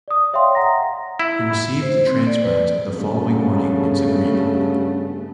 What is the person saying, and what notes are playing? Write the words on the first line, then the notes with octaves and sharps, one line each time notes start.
He received the transplant the following morning in Zagreb.
D5 D#6
C#5 E5 F5 G5 C6
F#5 A#5 A#6
E4
C5
C4
D5
B4
G2 C#3 A3 B3